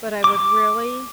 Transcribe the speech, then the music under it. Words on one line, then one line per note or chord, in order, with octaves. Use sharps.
but I would really
D6